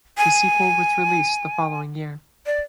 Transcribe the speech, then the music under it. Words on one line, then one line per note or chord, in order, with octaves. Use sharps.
A sequel was released the following year.
G#5
D5